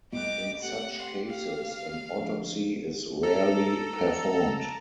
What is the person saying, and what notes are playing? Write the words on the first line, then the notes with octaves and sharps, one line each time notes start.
In such cases, an autopsy is rarely performed.
C2 A3 G4 D#5 D6 F#6
A3 C4 G4 F#5
F#5 C6
F5
F2 D3
A4 A5 A#5